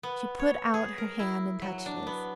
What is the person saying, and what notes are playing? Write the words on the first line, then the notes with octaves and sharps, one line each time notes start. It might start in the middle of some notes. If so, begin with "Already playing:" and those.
She put out her hand and touched his.
B3
C#5
G#4
A#4
E4
F#3
D4
B3